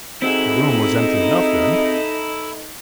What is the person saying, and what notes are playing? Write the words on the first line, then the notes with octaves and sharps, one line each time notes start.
The room was empty enough then.
C4 D#4 E4 F#4 G#4 A4 D#5